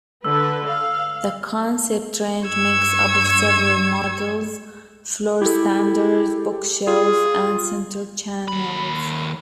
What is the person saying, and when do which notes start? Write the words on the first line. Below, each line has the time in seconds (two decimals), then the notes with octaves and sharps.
The Concept range makes up of several models Floorstanders, Bookshelf and Centre Channels.
0.24 D3 B4 E6
0.68 F5
2.47 G2 C#6 E6 G#6
5.42 E4 G4 A4
6.87 F4 G#4
8.48 D#2 B5